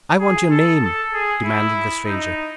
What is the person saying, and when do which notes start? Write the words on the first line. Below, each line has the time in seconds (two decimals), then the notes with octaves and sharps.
"I want your name," demanded the stranger.
0.20 G#4
0.51 A4
0.82 A4
1.13 G#4
1.44 E4
2.05 D#4